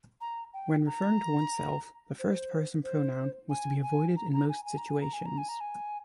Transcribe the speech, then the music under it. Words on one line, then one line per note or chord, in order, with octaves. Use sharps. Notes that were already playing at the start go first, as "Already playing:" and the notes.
When referring to oneself, the first-person pronoun was to be avoided in most situations.
A#5
G5
A#5
C5
C5
G#5
G#5
A#5
A#5
G#5
G#5
A#5
G#5
A#5
G#5
A#5
G#5
A#5
G#5